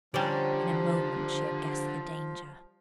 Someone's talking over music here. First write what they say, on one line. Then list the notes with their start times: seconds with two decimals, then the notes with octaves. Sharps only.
In a moment she had guessed the danger.
0.14 D3 F3 G3 C#4 G4 C5 D5 A#5